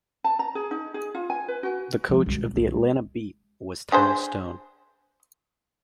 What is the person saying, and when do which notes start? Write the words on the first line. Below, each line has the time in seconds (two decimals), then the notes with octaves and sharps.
The coach of the Atlanta Beat was Tom Stone.
0.24 A5
0.39 A#5
0.55 G#4
0.71 D#4
0.94 G#4
1.15 F4
1.30 G#5
1.48 B4
1.63 F#4
2.09 F3 G#3
2.26 C2 B2
2.56 G#3
3.92 D4 G#4 C5